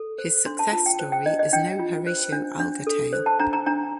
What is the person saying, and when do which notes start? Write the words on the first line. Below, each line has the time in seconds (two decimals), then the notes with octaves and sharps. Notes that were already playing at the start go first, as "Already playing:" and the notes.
His success story is no Horatio Alger tale.
Already playing: A4
0.18 C5
0.46 D4 C6
0.59 A5
0.72 F4 A5
0.86 G5
0.99 C5
1.12 G5
1.26 D4 D#5
1.39 D#5
1.53 D4 G5
1.79 F4
2.07 C5
2.32 D4
2.60 D4
2.87 A4
3.13 C5
3.26 A5
3.39 D4 A#5
3.53 A#5
3.66 D4 A#5